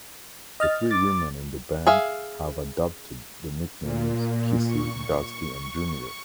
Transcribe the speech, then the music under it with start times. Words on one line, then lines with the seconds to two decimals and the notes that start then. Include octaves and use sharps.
The three women in the band have adopted the nicknames Kissy, Dusty, and Junior.
0.60 D#5 F6 A6
0.91 D6 A6
1.87 G#4 E5 F5
3.82 A#2
4.67 C#6